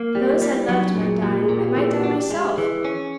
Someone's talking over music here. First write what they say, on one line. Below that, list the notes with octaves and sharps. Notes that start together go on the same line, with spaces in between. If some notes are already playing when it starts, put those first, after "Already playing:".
Those I loved might die; I might die myself.
Already playing: A#3
G3 G4
F4
G3
E4
F#3 D#4
D4
A#2
G#4
A#2 G4
G#4
A#2
G4
E3 G#4
G4
D4 F#4
G4
G#3 G4
E3 G#4
C#4